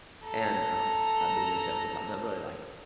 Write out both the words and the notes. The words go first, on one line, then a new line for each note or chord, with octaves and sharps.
and, um, I've been there several times, I really like it.
A4 A#5